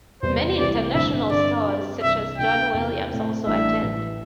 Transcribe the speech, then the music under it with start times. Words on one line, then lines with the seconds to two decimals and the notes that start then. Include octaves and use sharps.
Many international stars, such as John Williams, also attend.
0.23 E2 C3 G3 C5
0.58 C2 C3 E3 A3 E4 D5
0.94 A1 G2 D3 C4 E5
1.30 G2 D3 G3 C4 D5
1.66 G2 G3 C4 G4
2.02 C2 C3 E3 G3 E5
2.38 D2 D3 A3 G5
2.74 E2 C3 E3
3.10 A2 A3 C4
3.46 A1 A2 E3 G3 D4 E5
3.82 A1 A2 E3